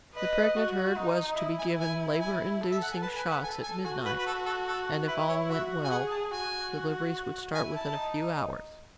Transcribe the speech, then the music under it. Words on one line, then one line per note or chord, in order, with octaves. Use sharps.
The pregnant herd was to be given labor-inducing shots at midnight, and, if all went well, deliveries would start within a few hours.
B4 D#5
F#4
D#4
E4 D#5
G#5
G#5
G#5
A4
E5
F#5
G#5
B4 A5
G#5
F#5
A4 G#5
G#5
F#4 G#5
B4
B4
A4
A4
A4
E4 B4
C#5
F#4 E5
G#5
G#4 F#5
A5
F#4 G#5
E4 G#5
A5
D#4